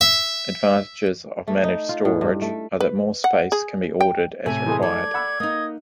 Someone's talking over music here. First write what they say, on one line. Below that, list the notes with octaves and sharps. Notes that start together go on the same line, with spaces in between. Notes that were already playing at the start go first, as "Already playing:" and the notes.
Advantages of managed storage are that more space can be ordered as required.
E5
A3
D#4
F4
A2
G2
A3
B4
F#5
G#4
G5
A2 C3 A3 E5 G#5
E3 G#3 A3 G#4
A4 D5 G#6
F#5 B5 E6
A#3 D#4 D#5